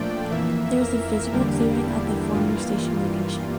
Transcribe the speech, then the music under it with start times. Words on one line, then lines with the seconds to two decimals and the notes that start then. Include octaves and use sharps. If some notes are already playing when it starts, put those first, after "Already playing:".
There is a visible clearing at the former station location.
Already playing: A#2 F3 A3 D4 D5 G5
0.31 F2 E3 A#3 E5
0.81 A#4
1.32 E2 D3 G3 A#3 D4 G4
1.83 E4
2.34 G2 E3 G3 A#3 F4
2.85 F4